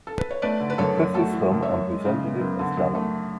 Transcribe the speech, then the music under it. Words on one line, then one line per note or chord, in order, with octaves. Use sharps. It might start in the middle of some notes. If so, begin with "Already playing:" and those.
He cut his thumb and presented it as dhanam.
A4
B4
C#5
A3 B4 D5
D3
B4
F#2 A4 C#5
F#2
A3 F#4 A4
E3
F#2
C#5 E5
F#2
G#3
C#3
B3
F#2
D3
F#2
A3